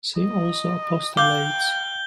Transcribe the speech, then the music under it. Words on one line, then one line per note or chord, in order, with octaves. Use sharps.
See also Apostolates.
D#5
F5 G5 D6 G6 G7